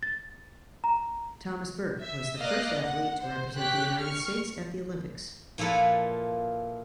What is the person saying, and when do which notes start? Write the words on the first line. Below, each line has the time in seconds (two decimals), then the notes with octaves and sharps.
Thomas Burke was the first athlete to represent the United States at the Olympics.
0.03 A6
0.84 A#5
2.00 E5
2.39 A#3 D5 D#5 F5 F#6 A#6
2.82 F#5
3.21 C5
3.55 G4 C#5 F#6 B6
3.98 C#6 F6
5.58 A#2 F3 E4 A4 B4